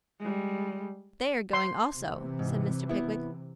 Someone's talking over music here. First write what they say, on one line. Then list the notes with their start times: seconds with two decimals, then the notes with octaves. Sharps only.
'They are going also,' said Mr. Pickwick.
0.20 G3 G#3
1.53 C6
1.93 C3 E3
2.39 G#2
2.89 B3 E4